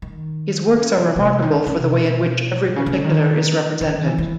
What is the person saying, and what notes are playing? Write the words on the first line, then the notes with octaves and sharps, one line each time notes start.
His works are remarkable for the way in which every particular is represented.
D#3
C#3
C3
C3
D#3
D3
C#3
C3
B2
A#2
C#3
C#3
D3
D#3
E3
D#3
E3
E3